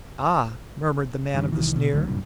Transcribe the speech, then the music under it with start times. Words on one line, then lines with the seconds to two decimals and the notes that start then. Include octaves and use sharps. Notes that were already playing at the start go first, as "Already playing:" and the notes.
"Ah!" murmured the man of the sneer.
1.35 G2 D#3
1.52 C2 D#3 E3
1.76 B2
1.93 C#2 D3 F#3 A3
2.07 F#1 C2 G2 A#2